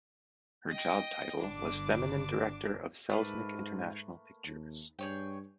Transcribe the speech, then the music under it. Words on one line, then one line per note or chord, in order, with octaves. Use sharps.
Her job title was Feminine Director of Selznick International Pictures.
D#5 G5
G1 D3 D4 D6
G#2 A3 A#3 B4
D#2
G2 G#4 C#5 G5